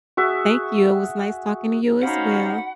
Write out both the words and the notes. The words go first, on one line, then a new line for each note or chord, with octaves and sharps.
Thank you, it was nice talking to you as well.
F#4 G#4 E5
C#4 D#4 F#4 C5 F5 F#5 B5